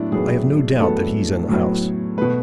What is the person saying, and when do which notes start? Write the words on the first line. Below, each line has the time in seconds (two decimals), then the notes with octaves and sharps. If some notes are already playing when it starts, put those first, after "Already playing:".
'I have no doubt that he's in the house.'
Already playing: A2 F#3 B3 D4 E4
0.12 A2 F#3 B3 G#4
0.80 A2 F#3 B3 A4
1.49 A2 F#3 B3
2.18 B2 A3 B4